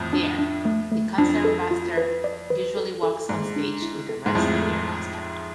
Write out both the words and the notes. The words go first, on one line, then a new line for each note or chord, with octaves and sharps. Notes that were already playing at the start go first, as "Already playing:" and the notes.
There, the concertmaster usually walks onstage with the rest of the orchestra.
Already playing: F2 A2
D4
D4
A3
A3
F2 D4
A4
F4
B4
D5
B4
A4
A4
G#2 D5
D4
E4
A4
G#2
F2 A2 E4
A4
A5
A5